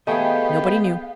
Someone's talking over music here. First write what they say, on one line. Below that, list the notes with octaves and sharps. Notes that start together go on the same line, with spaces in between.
Nobody knew.
A3 B3 G4 G#4 D#5 F5 G5